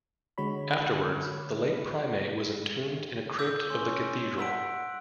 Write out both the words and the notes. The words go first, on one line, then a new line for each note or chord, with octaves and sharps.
Afterwards, the late primate was entombed in a crypt of the Cathedral.
D3 G#3 F#4 C#5 B5
D6 E6 G6
C#4 C6
F#5 E6 B6 D7